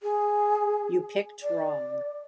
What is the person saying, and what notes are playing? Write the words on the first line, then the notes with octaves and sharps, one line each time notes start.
You picked wrong.
G#4
D5